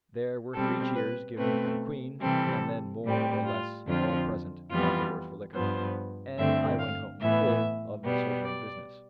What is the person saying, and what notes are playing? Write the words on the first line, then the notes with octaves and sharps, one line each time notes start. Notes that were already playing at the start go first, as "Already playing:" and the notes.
There were three cheers given for the Queen, and then more or less all present got the worse for liquor, and I went home full of the soldiering business.
B2 G3 C4 A4
B4
B2 A3 C4 B4
C3 E3 G3 C4 A4
A2 G3 C4
F4
F2 D3 F3 C4 F4
F2 E3 G3 B3 F4
G2 F3 B3 C5
G2 D3 A3 C4 E5
F5
A2 E3 B3 E5
B2 G3 B3
D5